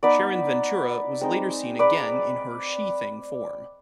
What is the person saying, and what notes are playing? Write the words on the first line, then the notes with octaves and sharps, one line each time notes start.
Sharon Ventura was later seen again in her She-Thing form.
B3 D#4 B4 D5
G#3 C4 D#4
B4 D5